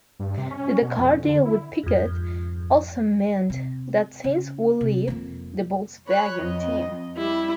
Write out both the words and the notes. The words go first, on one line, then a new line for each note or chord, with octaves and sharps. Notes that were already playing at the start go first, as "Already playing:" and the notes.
The Dakar deal with Peugeot also meant that Sainz would leave the Volkswagen team.
G2
C3
C#4
B2
F2
D3
E4
F2 G#2
C3
C#3
C3
F2 A#3
C#5 B5 F#6
F2 D#5
G3 E4